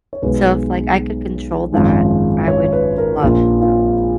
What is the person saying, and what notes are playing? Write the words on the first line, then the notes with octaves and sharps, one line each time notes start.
So, if like I could control that, I would love to.
C#5
B1 B2 G#3 B4
G#1 F#2 F3 G#3
C#5
B4
A#4
A#1 A#2 F3 A#3 F4
F4